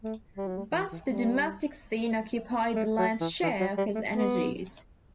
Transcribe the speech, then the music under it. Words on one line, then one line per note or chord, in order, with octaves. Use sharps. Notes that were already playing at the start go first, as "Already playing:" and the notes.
But the domestic scene occupied the lion's share of his energies.
A3
G3
F#3
G3
E3
E3
G3
A3
F#3
E3
E3
F#3
G3
A3
B3